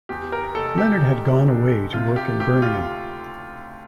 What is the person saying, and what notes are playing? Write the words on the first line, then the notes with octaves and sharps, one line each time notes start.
Leonard had gone away to work in Birmingham.
E2 G4
A#4
F1 A4
G4
F1
D3
C3 F4
G4
D2 G4
F4